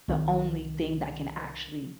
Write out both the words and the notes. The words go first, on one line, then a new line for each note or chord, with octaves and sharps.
the only thing that can actually
C2 D#3